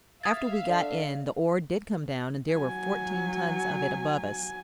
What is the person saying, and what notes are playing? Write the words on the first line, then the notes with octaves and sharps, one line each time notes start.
After we got in, the ore did come down and there were fourteen tons of it above us.
E5 F5 D#6 G#6 A6
D3
F#3 G#5